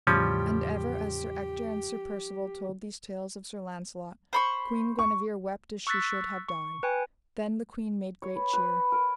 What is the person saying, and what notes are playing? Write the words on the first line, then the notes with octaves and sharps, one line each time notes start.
And ever as Sir Ector and Sir Percivale told these tales of Sir Launcelot, Queen Guenever wept as she should have died. Then the queen made great cheer.
E2 A2 C#3 F3 G3 C#4 G4
C5 B5 C#6
C#6
C#6 E6 F#6 A6 B6
C#6
B4 G5 G#5
C#5
B4
B4
A#4